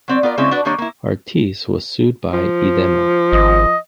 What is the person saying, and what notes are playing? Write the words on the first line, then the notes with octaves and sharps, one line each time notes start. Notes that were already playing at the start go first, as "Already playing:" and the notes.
Artis was sued by Idema.
F#3 C4 D5
B3 F4 A#4 D5
C#3 G#3 C4 C#4 E4
D4 F#4 B4 D5
D#3 G3 A#3 D4 C#5
A#3 E4
F3
G#1 D#5